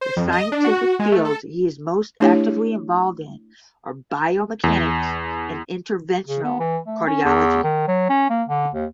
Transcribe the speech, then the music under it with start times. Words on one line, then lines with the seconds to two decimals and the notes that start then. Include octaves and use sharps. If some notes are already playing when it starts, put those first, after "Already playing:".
The scientific fields he is most actively involved in are biomechanics and interventional cardiology.
0.01 C5
0.17 F2
0.32 D#5
0.52 D4
0.64 F#4
0.81 F#4
0.99 G#3
1.12 A3
1.25 A4
2.20 A3 D4 E4 G4 C#5
4.64 E2
6.27 C#3
6.44 B3
6.60 E3
6.87 A3
7.07 C#4
7.25 E2
7.64 D#3
7.88 F#3
8.10 C#4
8.30 A#3
8.49 D3
8.75 D#2